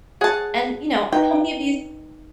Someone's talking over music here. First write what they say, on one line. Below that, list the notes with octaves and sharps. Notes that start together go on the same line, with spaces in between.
and, you know, how many of these
G#4 C#5 F#5 A5
D#4 B4 G5